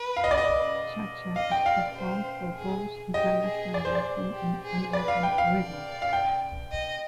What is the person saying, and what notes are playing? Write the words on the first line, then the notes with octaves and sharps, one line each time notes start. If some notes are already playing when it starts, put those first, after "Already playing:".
Cha-cha is performed for both International Latin and American Rhythm.
Already playing: B4
F5
D#5
D5
D#5
D#5 F5
G5
D5 F5
C5
G#4
G4 D#5
G#4
D5
C5
D5
G4
G#4
B4 D5
F5
G5
F5
D5
F5
G5
D#5